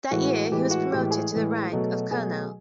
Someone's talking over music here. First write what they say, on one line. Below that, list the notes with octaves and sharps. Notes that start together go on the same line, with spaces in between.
That year, he was promoted to the rank of colonel.
A2 E3 G#3 F#4
A2 E3 G#3 G4
F#4
A2 E3 G#3 G4
G#4
A2 E3 G#3
B2 F#3 A3
B2 F#3 A3 G#4